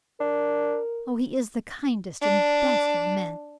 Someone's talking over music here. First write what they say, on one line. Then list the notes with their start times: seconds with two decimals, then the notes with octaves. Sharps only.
Oh, he is the kindest and best of men!
0.20 D4 A#4
2.22 D4